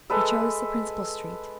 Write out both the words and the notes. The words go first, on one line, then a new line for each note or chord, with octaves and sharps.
He chose the principal street.
G#3 A4 B4 E5